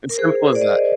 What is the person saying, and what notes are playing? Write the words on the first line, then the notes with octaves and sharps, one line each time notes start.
It's simple as that.
A#4
G#4 C5
D5
C5 D#5